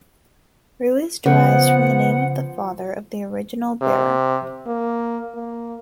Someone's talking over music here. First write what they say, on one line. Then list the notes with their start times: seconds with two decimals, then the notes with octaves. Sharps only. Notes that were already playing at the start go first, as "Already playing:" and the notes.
Ruiz derives from the name of the father of the original bearer.
1.26 C#3 F3 B3 F#5
3.81 C3
4.66 A#3
5.35 A#3